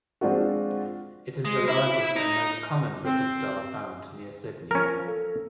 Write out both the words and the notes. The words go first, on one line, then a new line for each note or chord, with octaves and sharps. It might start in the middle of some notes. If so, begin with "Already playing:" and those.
It is the largest and most common brittle star found near Sydney.
F3 G#3 C4 D4 F4 F#4
G#3
E4
D#4
C4
F3 C#4 A#4
A4